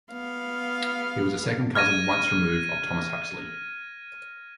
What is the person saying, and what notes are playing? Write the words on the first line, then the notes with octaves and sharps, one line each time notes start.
He was a second-cousin once removed of Thomas Huxley.
B3 F5
F6 G#6 A#6 D#7